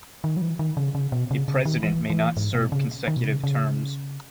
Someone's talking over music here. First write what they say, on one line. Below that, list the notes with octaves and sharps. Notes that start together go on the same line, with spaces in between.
A president may not serve consecutive terms.
D#3
F#3
E3
D#3
C#3
C#3
B2
C#3
C#3
D#3
E3
E3
G#2
B2
C#3
D#3
B2
C#3
C#3